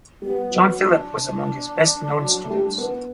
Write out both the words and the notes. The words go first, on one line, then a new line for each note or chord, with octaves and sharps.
John Phillip was among his best known students.
G3 B3
F#3
D4
F#3
A3
G3
B3